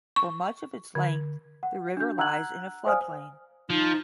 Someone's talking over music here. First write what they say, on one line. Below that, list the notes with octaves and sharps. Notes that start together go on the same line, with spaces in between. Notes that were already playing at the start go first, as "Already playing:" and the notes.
For much of its length the river lies in a floodplain.
C#6
D3
F#5
D4 F#4 G6
F#5 A#5 E6 F#6 G#6 F#7
C5 D5 F5 G#5 D#6 F6
F3 D#4